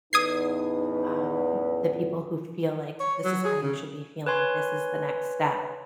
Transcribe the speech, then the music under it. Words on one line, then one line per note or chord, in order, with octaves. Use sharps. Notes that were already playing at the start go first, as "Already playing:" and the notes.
um, the people who feel like "this is how you should be feeling, this is the next step,"
A1 E2 D#4 B4 D#6 G#6 C7
C#5
F#3
G#4
C#3
B4 C#5 G#5 C6